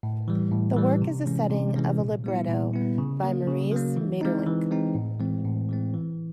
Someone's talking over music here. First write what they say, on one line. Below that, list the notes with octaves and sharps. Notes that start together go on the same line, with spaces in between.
The work is a setting of a libretto by Maurice Maeterlinck.
A2
E3 G3
A2
E3 G3
C3
E3 G#3 C#4
C3
E3 G#3 C#4
A#2
G3 B3 E4
A#2
G3 B3 E4
C#3
F#3 A#3
C#3
F#3 A#3
E3
G#3 C4 D#4
E3
G#3 C4 D#4
A2
E3 G#3 C4
A2
E3 G#3 C4
E3